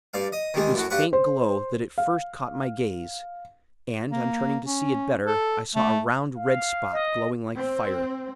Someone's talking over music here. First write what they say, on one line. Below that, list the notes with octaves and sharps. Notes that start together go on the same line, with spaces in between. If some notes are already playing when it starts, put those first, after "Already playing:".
It was faint glow that at first caught my gaze; and, on turning to see it better, I saw a round red spot glowing like fire.
G2 D5 F5
D#5
D#3 G3 G#3
F#2 A2 F#4
G2 F#4 B4 F#5 C#6
C5
F5
A#3
C#4
A4
A3
F5
D#5
C4